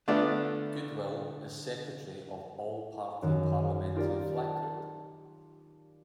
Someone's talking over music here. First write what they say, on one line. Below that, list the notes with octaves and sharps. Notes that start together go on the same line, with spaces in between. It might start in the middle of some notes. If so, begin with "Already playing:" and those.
Goodwill is secretary of the All Party Parliamentary Flag Group.
D3 A3 B3 D4 F4 D5
F#2 D#3
D#4 F4 G4 A#4 D5
A5